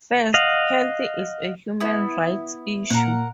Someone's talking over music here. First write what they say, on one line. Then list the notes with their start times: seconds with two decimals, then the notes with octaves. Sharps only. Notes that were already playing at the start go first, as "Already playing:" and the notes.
First, health is a human rights issue.
0.34 D#5 F5 F#5
1.80 B3 E4
2.90 A#2 A#4 F#5